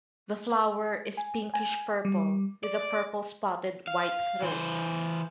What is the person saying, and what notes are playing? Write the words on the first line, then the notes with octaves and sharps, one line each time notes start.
The flower is pinkish-purple with a purple-spotted white throat.
G#5
G#5
G3
D5
F5
E3 C5